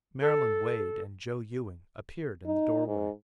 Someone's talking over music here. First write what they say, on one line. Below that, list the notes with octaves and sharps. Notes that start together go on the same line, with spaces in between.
Marylyn Wade and Joe Ewing appeared in the doorway.
A4
D#4
G#2